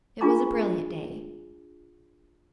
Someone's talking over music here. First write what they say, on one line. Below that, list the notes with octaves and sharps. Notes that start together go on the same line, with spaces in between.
It was a brilliant day.
D4 F4 G#4 G#5 A#5 D6